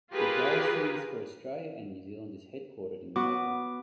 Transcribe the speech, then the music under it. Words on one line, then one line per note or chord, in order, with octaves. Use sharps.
The diocese for Australia and New Zealand is headquartered in Melbourne.
F4 G4 G#4 A#4 B4
B3 F#4 D6